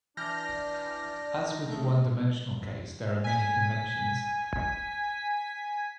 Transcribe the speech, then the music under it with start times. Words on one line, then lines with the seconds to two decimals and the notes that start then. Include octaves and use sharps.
As with the one-dimensional case, there are many conventions.
0.17 E3 D4 D5 F6 G6 A#6
1.43 D#4
1.69 C#3 A3
3.24 G#5 B6